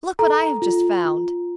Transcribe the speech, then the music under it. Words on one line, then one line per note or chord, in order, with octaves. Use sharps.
Look what I have just found!
A4 A#5
F4
F4